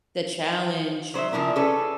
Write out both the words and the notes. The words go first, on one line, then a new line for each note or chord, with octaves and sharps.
The challenge.
F#3 C5 D5 E5
C#3 F3 A#3 D4 E4 A#4
C#4 G#4 A4 B4 D5